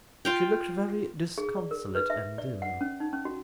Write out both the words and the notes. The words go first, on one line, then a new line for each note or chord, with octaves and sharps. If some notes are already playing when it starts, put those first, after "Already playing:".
She looked very disconsolate and dim.
F4 F5 G5
G#4
D5
A#4
B4
E5
D5
F#5
C#4
D#4
C#4
F#4